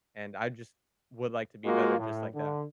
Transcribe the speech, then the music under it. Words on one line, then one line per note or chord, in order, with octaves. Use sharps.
and I just would like to be better just like that.
G#3 A#3 F4 F#4
A2
D3